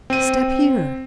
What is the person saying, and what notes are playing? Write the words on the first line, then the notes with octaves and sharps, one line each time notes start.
Step here!
C4 D#7